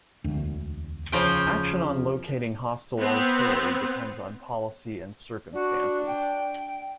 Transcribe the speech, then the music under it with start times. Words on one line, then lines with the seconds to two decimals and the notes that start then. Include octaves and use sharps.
Action on locating hostile artillery depends on policy and circumstances.
0.24 E1 D2
1.12 C#3 F3 G5
2.99 B3 C4
5.54 D4 F#4
6.07 G5